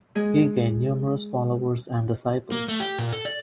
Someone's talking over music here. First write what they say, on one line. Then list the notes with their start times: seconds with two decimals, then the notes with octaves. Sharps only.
He gained numerous followers and disciples.
0.15 G#3 G#4
2.52 A#3
2.68 A3
2.80 G4
2.99 A#2
3.13 A4
3.25 D5